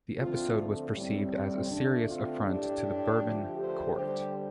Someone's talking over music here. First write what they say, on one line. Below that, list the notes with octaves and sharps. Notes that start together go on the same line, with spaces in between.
The episode was perceived as a serious affront to the Bourbon court.
D3 F3 A3 C4 F4
C4
A2 G3 C4
D3 A3 D4
C4 F4
A2 A3 D4 G4
D3 F3 A3
G4 C5
D3 G3 G4 C5